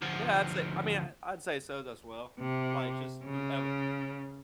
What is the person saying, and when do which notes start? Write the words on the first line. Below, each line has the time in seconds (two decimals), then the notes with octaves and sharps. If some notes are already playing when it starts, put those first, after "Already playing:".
Yeah, I'd say I mean, I I'd say so as well, like, just through ev
0.02 D2 F3
2.40 C3
3.24 C#3